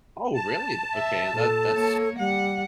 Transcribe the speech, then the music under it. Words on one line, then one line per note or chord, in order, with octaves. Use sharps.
Oh, really? The Okay, and that that's
A5
E5
A#2 A4
A#3 C#5
G3 F#5